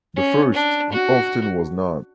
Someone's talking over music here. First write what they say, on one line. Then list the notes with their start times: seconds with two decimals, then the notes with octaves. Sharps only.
The first, he often was not.
0.16 C#4
0.54 D4
0.92 F#4